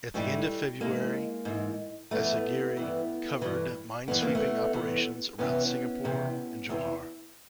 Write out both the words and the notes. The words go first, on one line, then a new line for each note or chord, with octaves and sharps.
At the end of February, "Asagiri" covered minesweeping operations around Singapore and Johore.
G#2 E3 G3 A3
G#2 E3 G#3 A#3
G#2 E3
G2 E3 A3 B3
G2 E3
G2 E3
G2 E3 B3
A#3
A3 B3
E2 C3 E3
E2 C3 E3 B3 C#4
E2 C3 E3
E2 C3 E3